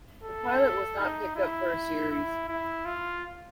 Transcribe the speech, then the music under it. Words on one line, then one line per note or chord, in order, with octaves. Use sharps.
The pilot was not picked up for a series.
A4
D#4
E4
E4
E4
F4